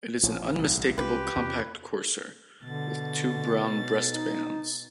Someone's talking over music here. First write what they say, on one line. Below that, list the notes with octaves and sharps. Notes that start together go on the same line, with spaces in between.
It is an unmistakable compact courser, with two brown breast-bands.
A1 A#2 F3 E4 C#5
C2
C2 G#3 C#4 F4 G4 B4
E2 C3 C#4
B2 D3 A6
D#4